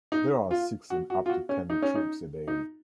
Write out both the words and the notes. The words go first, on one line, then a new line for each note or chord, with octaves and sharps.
There are six and up to ten trips a day.
D#4
F4
F#4
F#4
F4
F#4
C#4
D#4
C#4
D#4
D#4